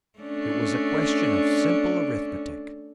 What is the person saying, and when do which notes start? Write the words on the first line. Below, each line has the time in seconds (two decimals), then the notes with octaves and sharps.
It was a question of simple arithmetic.
0.19 A3 C#4 D4